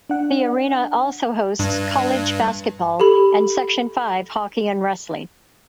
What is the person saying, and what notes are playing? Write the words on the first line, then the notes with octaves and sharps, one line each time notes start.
The arena also hosts college basketball, and Section Five hockey and wrestling.
D4 F#5
G2
G4 A4 B5